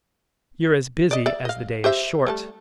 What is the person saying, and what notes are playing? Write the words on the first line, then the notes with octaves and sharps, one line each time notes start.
"You're as busy as the day is short!"
D5 D#5
D5 E5
D#5 F5
G4 C5 E5
G3 A3 A5